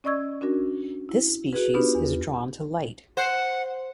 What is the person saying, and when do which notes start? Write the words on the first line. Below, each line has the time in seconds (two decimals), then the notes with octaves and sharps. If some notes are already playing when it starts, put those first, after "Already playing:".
This species is drawn to light.
0.04 C#4 D5 D#5 C#6 E6 G#6
0.41 C#4 D4 F#4 A#4
1.09 E4
1.53 F#4 G#4 B4
1.74 B3 D4 D#4 F4 G4 B4
1.95 E2
3.17 C5 F#5